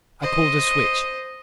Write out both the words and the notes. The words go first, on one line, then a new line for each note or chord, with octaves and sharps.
I pulled a switch.
C5 D#5